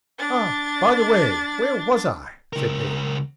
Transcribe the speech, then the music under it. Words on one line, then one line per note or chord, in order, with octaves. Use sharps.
"Ah, by the way, where was I?" said he.
D4 A6
C#2 A#4